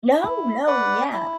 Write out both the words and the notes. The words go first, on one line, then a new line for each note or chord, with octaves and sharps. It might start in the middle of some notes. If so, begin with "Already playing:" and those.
No, no, yeah.
E4
B4 D5 F#5
E4